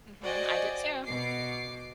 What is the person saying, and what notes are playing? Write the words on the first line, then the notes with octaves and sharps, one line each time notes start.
Mhm. I did too.
F#4 C5 D5 D#5 G5 G#5
B2 D6 C7